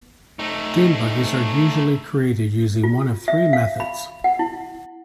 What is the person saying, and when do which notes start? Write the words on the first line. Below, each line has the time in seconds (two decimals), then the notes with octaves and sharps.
Dune buggies are usually created using one of three methods.
0.39 A3 D#4
2.84 F4
3.28 E5
3.53 F5
3.80 B5
4.24 F#5
4.39 E4